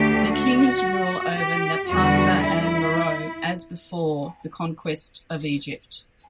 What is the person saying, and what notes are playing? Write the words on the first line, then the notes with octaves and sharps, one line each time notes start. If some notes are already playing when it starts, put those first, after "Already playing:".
The Kings rule over Napata and Meroe as before the conquest of Egypt.
Already playing: D2 D3 A3 G4
F#4
G4
E2 D3 G3 F#4
E4